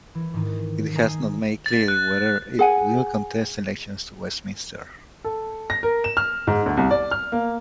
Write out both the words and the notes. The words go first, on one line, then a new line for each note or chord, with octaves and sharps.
It has not made clear whether it will contest elections to Westminster.
E3
G#2 D#3 D#4
D#5 G#5 A#5 D#6 G6 C7
A6
F#6
G#4 F#5 G#5
A4
A#6
A#4
E7
F6
G#2
D2
C2
D5
F6
A#3